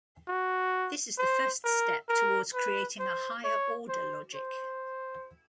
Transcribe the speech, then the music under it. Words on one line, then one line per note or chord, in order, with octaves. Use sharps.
This is the first step towards creating a higher-order logic.
F#4
C5
A#4
A#4
B4
C5
C#5
C5
C5